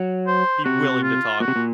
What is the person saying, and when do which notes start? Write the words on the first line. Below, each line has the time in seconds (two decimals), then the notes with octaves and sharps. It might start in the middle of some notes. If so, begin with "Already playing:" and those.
be willing to talk.
Already playing: F#3
0.27 C5
0.65 C3 F#4
1.03 F4
1.40 A#2 F#4
1.48 C3
1.56 A#2